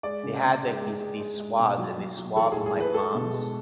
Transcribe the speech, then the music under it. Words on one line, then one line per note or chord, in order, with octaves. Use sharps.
they had, like, these these swabs, and they swabbed my palms,
G#3 D5
C#3
C#3
G#3
G#3
G#3
G#3
G#3
B2
F#3
F#3
F#3
E3 A4
A2 G#4
G#4
E3
B4
G#3 A4
B2
G#3